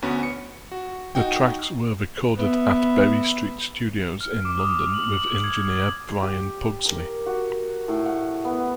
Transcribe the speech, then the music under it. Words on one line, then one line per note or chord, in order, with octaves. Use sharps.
The tracks were recorded at Berry Street studios in London with engineer Brian Pugsley.
D2 B3 C#4 F#4 B5
C#7
F#4
D#4 F#4 G5
B3 E5
F6
D6
D#6
F#7
F#7
G#6
G4
A#4
F#4
A2
F#5
B3